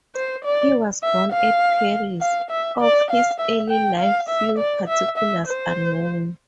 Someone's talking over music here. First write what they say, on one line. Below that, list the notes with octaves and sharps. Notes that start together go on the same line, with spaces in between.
He was born at Paris; of his early life few particulars are known.
C5
D5
E5
F5
F5
E5
D5
F5
E5
G5
F5
E5
D5
E5
E5
C5